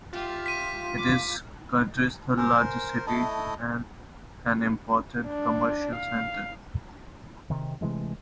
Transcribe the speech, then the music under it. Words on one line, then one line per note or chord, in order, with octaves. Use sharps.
It is the country's third largest city, and an important commercial centre.
F4 G4 E5
B6 D#7
D6
A#4 C5 G#5
A3 E4 D#5 A5
D4
F5
C3 D#3
C3 E3 G#3 A3